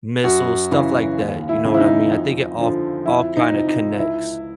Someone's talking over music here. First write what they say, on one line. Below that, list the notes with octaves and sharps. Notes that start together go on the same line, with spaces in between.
missiles, stuff like that, you know what I mean? I think it all all kinda connects.
F#2 F#4
C#3 E3
D#2
E4
C#3 E3
E4
D#4
F2
D3 F3
F2 E4
D#4
C3 F3
D#4
C#2 E4